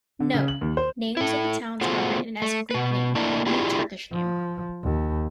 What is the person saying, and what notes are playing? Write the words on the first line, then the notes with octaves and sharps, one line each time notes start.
Note: Names of the towns are written as Greek name, new Turkish name.
D3
C#3
F#7
D#2
C5
E4 A4
A3 B3 F4 F#4 G#4 C5
A3
B2 B4
A3 A#3 D4 E4
D4 E4 F4 G4 G#4
F3
D#2